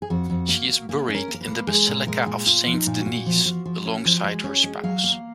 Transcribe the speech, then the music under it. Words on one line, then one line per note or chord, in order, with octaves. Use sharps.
She is buried in the basilica of Saint-Denis alongside her spouse.
G#4
F2 F#4
F2
A#3
A#3
A#3 G#4
C#4
A#4
A#3
A#4
B4
A#3
G#3 G#4
A#2 A#4
G#3 A#4
A#2 G#4
A#2 F4
F3
D#4
A#2
F#4
A#2
F3
F3
F3
C#4
F3
G#3
C#4
G#3
F#3 F5
A#3